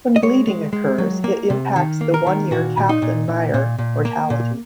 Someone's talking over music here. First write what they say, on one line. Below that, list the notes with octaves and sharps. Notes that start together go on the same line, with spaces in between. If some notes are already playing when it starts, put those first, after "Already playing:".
When bleeding occurs, it impacts the one year Kaplan-Meier mortality.
D#5
G#3 C#5
G#3
G#3
F#3
A#3
C3
D#3
A#3
A#4
D#3
A#2 F#4
A#2
D#4
A#2
A#2
A#2
A#2
A#3
A#2